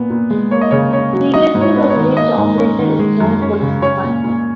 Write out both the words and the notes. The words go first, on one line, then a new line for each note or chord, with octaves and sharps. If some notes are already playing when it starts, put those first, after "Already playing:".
Previously the village operated its own police department.
Already playing: A#2 B3
A#2
G#3
A#3 C#5
D#5
C#3 C#5
C#4 C#5
F#3
F#3 D#5
G#2
C#5
B3
C#5
D#3
A#3 D#5
G#2
C#4
D#3
G#3
F#2
C#4
C#3
C#4 C#5
A#2
A#2